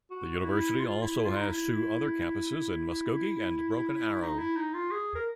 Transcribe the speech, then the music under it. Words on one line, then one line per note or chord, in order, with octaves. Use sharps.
The university also has two other campuses in Muskogee and Broken Arrow.
F#4
E4
F4
E4
F4
D#4
E4
D#4
E4
D#4
F4
G#4
A#4